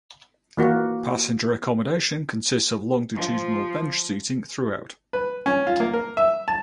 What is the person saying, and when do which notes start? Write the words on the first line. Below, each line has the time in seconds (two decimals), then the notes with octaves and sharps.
Passenger accommodation consists of longitudinal bench seating throughout.
0.57 E3 A#3 F#4
3.15 F3
5.13 B4
5.46 C#4
5.67 F4
5.80 A#3
5.93 A#4
6.17 E5
6.48 A5